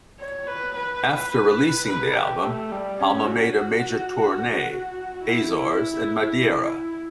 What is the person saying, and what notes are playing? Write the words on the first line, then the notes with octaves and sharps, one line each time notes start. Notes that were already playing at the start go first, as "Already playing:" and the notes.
After releasing the album, Palma made a major Tournee, Azores and Madeira.
C#5
B4
B4
B4
G4
A3
G3
C#4
F#4
E4